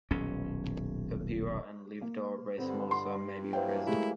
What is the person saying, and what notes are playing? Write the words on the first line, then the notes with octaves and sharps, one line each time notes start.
Purpura and livedo racemosa may be present.
D#1 B1 C#4
A#3
G2 D3 B3 C4
C6
E3 F#3 A#3 B4 C5 G5
G#3 A3 E4 G4